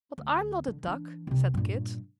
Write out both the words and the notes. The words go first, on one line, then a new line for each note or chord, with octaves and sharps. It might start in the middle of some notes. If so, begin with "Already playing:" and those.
"But I'm not a duck," said Kit.
D2
D3
E3 D4
C2 C3
G2 A#2